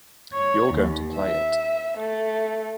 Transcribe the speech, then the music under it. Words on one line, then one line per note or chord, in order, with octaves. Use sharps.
You're going to play it.
C#5
D#2
E5
A3